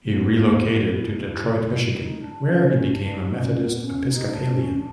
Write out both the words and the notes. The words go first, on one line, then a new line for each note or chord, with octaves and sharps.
He relocated to Detroit, Michigan where he became a Methodist Episcopalian.
B3
A#3
B3
E4
E4
D#4
D4
C#4
C#4
D4
D#4
D4
C#4
B3
C#4
D#4
D4
C4
C#4
D4